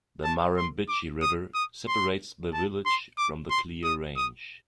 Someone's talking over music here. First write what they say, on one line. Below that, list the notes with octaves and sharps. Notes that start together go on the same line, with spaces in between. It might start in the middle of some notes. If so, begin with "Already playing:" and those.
The Murrumbidgee River separates the village from the Clear Range.
A5
C6
D6
D#6
D#6
C6
A5
C6
D6
C6
D#6
D#6